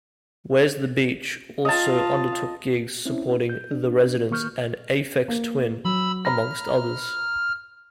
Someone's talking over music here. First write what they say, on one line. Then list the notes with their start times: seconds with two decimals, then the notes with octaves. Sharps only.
Where's the Beach also undertook gigs supporting The Residents and Aphex Twin, amongst others.
1.65 F4 D#5 F5 A5
3.05 C4 C#4 E4
3.49 G6
3.71 D4
4.31 D#3 A#3 C#6 F6 G6
5.28 A#3
5.85 F#3 B5 E6
6.25 A#5 B5 F6 A#6